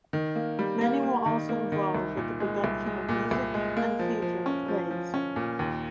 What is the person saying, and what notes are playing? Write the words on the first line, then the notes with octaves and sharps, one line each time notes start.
Many were also involved with the production of music and theatre plays.
D#3
A#3
G3
A#3
A#3
D#3
A#3
D#3
C2
A#2
G#3
C2
G#3
A#2
C2
G#3
A#3
F3
F3
C#4
F3
F3
C#4
A#2
D#2